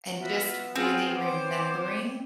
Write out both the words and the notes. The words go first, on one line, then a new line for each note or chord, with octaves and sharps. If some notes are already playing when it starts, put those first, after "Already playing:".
and just really remembering
B3 F4 F#4 E5
C4 F4 G#4 G5
C5 C#5 D6